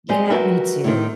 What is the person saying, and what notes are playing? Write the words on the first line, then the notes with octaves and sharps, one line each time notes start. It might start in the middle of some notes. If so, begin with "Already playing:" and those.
Yeah, me too.
G3 G#3 C4 G4 G#4 D#5
F#4 G4 A#4 B4 D#5 E5
A2 C3 D#3